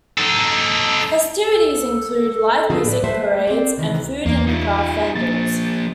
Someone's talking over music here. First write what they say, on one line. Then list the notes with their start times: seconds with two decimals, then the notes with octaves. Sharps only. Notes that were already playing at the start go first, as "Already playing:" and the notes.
Festivities include live music, parades, and food and craft vendors.
0.18 D#4 A4
1.52 A4
2.70 D3 F3 F4 F#4 G#4 A4
2.84 A2 B4 D5
3.04 G#3 A3 B4 C5 E5 F#5
3.47 C4 D5
3.77 C3 D#3 E3
4.26 E2 A#3
4.47 D#4 F4
5.16 F3 A#3 A6